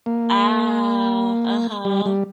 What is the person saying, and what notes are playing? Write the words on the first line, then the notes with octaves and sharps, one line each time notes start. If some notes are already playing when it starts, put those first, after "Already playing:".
Ah, uh-huh.
A#3
G3
G3